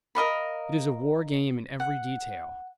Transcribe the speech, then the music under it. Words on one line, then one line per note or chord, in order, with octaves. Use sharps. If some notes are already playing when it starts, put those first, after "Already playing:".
It is a war game in every detail.
A#4 D#5 F5 B5
F#5